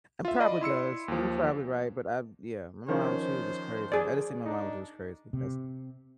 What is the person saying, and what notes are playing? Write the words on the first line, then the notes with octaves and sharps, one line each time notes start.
It probably does, and you're probably right, but I've yeah, my mom, she was just crazy. I just think my mom was just crazy. That's
F4 E5
D5 D#5 B5
E4 C6 E6 C#7
D#2 F3
D#3 F3 C#4 C5
G#4 D5
D4 D#4
C3